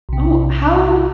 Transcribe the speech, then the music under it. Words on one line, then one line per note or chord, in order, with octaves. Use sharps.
Oh, how
B1 C3